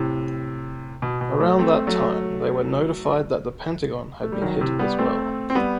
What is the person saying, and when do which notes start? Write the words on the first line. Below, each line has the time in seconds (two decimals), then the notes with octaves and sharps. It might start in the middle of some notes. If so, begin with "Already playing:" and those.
Around that time, they were notified that The Pentagon had been hit as well.
Already playing: A2 C3
1.02 B2
1.21 B2
1.40 F#3 A3
1.59 A3 C4
1.87 F#3 A3
4.23 A3
4.32 G3
4.42 D#3 F#3
4.61 A2 C3
4.79 G3 B3
4.98 A3 C4
5.50 C4
5.55 G3 B3